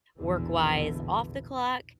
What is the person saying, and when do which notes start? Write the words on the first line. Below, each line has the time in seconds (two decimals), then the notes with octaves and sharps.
work-wise, off the clock.
0.18 A#1 E2 B2 D3 E3